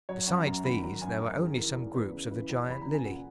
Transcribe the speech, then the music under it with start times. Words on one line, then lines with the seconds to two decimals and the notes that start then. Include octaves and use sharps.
Besides these there are only some groups of the Giant Lily.
0.09 F#3 C#5
0.27 F#2 F#5
0.46 F#2 A#5
0.64 D#3 B5
0.83 F#3 A#5
1.01 F#2 G#5
1.20 F#2 A#4
1.38 D#3 G#4
1.57 E3 A#4
1.76 E2
1.94 E2 B4
2.12 C#3
2.31 E3 B4
2.49 E2
2.68 E2 B5
2.82 A#5
2.87 C#3
2.94 G#5
3.05 A#2 F#5